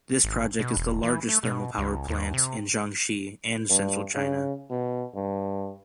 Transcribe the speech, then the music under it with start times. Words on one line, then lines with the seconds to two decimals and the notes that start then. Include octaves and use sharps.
This project is the largest thermal power plant in Jiangxi and Central China.
0.24 G#1
0.59 B2
0.77 E1
1.03 E3
1.29 A3
1.44 B2
1.78 C#2
2.08 D#2
2.34 C3
3.70 G2
4.15 C#3
4.70 B2
5.15 G2